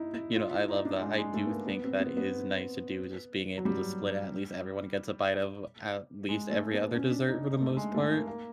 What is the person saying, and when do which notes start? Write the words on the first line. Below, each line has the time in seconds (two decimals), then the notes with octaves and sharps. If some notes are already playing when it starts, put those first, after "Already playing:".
You know, I love that, I do think that is nice to do, just being able to split at least everyone gets a bite of at least every other dessert for the most part.
Already playing: D#4 E4
0.14 E4
0.36 F4
0.53 E4
0.68 D#4
0.85 D4
1.01 G#3
1.18 G#3
1.34 A3
1.46 B3
1.51 A#3
1.67 B3
1.84 C4
2.00 B3
2.17 B3
3.58 F#3
3.65 G3
6.29 G#3
6.50 A3
6.74 B3
6.95 C#4
7.11 D4
7.29 D#4
7.61 A3
7.77 G#3
7.94 A3
8.10 A#3
8.28 A#3